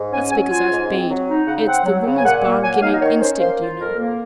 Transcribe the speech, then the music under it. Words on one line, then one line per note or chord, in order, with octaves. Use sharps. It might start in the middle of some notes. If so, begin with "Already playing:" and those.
That's because I've paid. It's the woman's bargaining instinct, you know.
Already playing: G#2
C#4 G#5
F#3 G#5
F4 G#5
G#2
C4
F#3
D#4
C#3 F#5
C4 F#5
F#3
C#3
G#5
A#2 F#5
A#3
F#3 G#5
F#5
D#4 F5
D#5
D#3 C#5
C#4 C5
A#3 C5
F4
F2 A#4
A#3